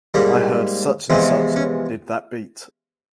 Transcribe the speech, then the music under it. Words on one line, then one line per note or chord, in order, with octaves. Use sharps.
I heard such and such did that beat.
G#2 G3 A#3
E2 C3 F3 G#3 C4
C#4